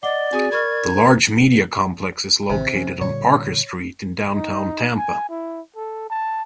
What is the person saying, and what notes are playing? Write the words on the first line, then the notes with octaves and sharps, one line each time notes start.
The large media complex is located on Parker Street in Downtown Tampa.
D5 D#5 F#5 D6 G7
C4 F#4 G#4 G#5 D#6
A#4 B5 C#6 F6 G#6
C5 A#5
A1 C3 D#3 E3
F3 C#4
A#2 D3 G3 C#5
D#4
G#5
E4
A4
A5